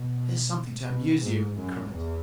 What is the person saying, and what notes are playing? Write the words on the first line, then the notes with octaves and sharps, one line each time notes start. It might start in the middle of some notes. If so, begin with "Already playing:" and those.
"Here's something to amuse you!" he cried.
Already playing: B2
B2
G#2
F#2
E2